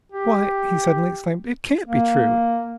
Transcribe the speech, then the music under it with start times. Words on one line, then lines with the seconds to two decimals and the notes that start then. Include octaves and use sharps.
Why!" he suddenly exclaimed, "it can't be true.
0.12 G4
1.87 A#3